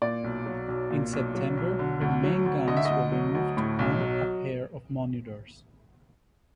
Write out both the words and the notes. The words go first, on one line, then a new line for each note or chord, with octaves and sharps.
In September her main guns were removed to arm a pair of monitors.
A#2 D5
B1
F#3
B1
A#2
B1
F#3
B1
D3
D2
F#3
D2
D3 D#5
E5
D2 D#5
F#3
D2
A2
B1
F#3